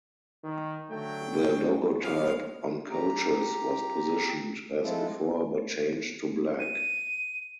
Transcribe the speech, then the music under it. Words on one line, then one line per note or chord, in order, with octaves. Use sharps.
The logotype on coaches was positioned as before but changed to black.
D#3
D3 F#3 A3 G5
C#2
A1
F#3 B3 F5
G4 A#5
F3 G#3 C4 E4 F4 A4
D#7